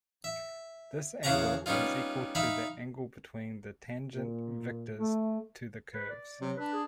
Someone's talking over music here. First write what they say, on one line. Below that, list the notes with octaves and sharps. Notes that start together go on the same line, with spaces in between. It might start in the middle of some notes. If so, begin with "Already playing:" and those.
This angle is equal to the angle between the tangent vectors to the curves.
E5
E2 C#3 F5 F#5 A#5 C#6
G3 B3 C#4 D#4 F4
D#4 E5 F5 B5
A#2
A3
B4
D5
C3 F#3
D4 B4
G#4